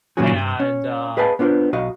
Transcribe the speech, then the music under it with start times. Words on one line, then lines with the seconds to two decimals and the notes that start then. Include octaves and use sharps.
and, uh,
0.17 A#2 D#3 F#3 C#4 F#4 G#4
0.32 G2
0.60 C#4
1.17 G#4 B4 D#5 F5 G#5 A5
1.39 B3 D4 F4 A4 C5
1.73 B1 F#4 D#5 F5